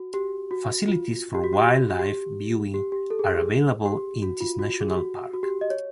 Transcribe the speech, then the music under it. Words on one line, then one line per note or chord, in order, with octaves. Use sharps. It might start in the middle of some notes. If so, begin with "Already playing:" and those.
Facilities for wild life viewing are available in this national park.
Already playing: F#4
G4
F#4
F4
G4
F#4
G4
F#4
F#4
G4
G4
G4
A4
G#4
G4
G#4
G4
F#4
F4
F#4
G#4
G4
F#4
F#4
G4
D#5
C#5